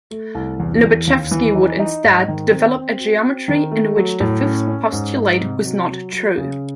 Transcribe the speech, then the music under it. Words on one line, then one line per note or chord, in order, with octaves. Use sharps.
Lobachevsky would instead develop a geometry in which the fifth postulate was not true.
A3
C2
E2
E2
D#2
E3
D#4
D#4
G#2
D#3
C4
C4
F#4
C4
D#3
A3
F#3
A2
C#4
C#4
G#2
D#4
C3
F#3
F#3
F#3
C#3